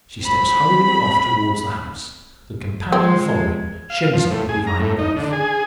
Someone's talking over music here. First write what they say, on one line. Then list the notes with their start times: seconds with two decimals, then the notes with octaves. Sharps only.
She steps hurriedly off towards the house, the companion following, Shenstone behind both.
0.21 C4 B5
2.92 F3 G#3 C4 G#6
3.90 F5
4.13 F3
4.31 A2
4.49 G#4
4.67 A#5
4.80 A2
4.99 D#4
5.16 D3
5.32 G#4